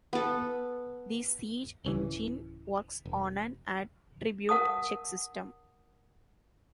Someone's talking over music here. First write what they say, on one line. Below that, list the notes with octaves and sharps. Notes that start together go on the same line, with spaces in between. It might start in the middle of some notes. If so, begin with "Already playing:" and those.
The Siege Engine works on an attribute check system.
B3 A4
D1 C#3 E3
E1
A#4 F#5 A5 D#6